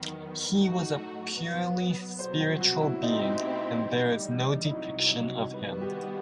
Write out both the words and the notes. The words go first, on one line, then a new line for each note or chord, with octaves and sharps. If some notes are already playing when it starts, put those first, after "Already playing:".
He was a purely spiritual being and there is no depiction of him.
Already playing: E2 D#3 F#3 B3
A2 F#3 A3 D#4 F#4
B2 F#3 B3
C2 B2 F#3 C5
F#4
E4
B2 A3 C4 D#4 E4 G4
A2 E3 G3
D#4
C2 C3 F#3 E4
D#3 G3 B3 F#4 B4
G4